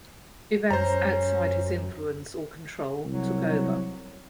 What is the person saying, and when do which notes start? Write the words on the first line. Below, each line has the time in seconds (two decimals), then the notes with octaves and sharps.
Events outside his influence or control took over.
0.71 F#2 C#4 C5 A#5
3.05 C2 F#3